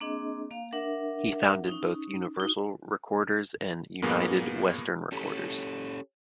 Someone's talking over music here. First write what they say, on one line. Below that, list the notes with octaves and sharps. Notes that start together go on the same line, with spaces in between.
He founded both Universal Recorders and United Western Recorders.
A#3 C4 D4 G#4 D#5
A#3 F5
D4 A#4 E5 F#5
C#4 D#4
D#4 F#4
G2 A#2 A#3 B3 G#4
C#4 G4 A4